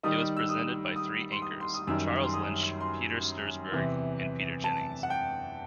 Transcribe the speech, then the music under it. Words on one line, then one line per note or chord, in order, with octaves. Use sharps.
It was presented by three anchors: Charles Lynch, Peter Stursberg and Peter Jennings.
D#3 G3 D#4 D#6
E6
D#6
D#6
C6
D#6
C6
D#6
F#2 D#3 G3 E6
C6
D#6
C6
E2 C3 E3
A5
F#5
G5